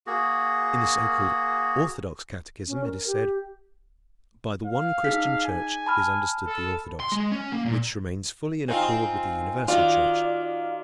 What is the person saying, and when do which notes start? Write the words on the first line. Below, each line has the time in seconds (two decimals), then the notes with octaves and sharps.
In the so-called Orthodox catechism it is said: By the one Christian Church is understood the Orthodox, which remains fully in accord with the Universal Church.
0.07 A#3 F#4 G#4
2.68 C#4
2.84 A#4
3.07 G4
4.65 F5
5.04 D#4 G#4 B6
5.45 G#5
5.86 A5 B5 F6
6.46 A4
7.00 C6
7.12 G#3
7.31 C#4
7.52 A#3
7.66 A#2
8.68 C4 D#4 F4 G5 G#5
9.68 D#3 F4 F#4 D5